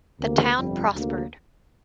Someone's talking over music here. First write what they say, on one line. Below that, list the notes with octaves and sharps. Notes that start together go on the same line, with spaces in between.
The town prospered.
D2 C3 A#3
G1 F2 C3 G3
D2 C3 A#3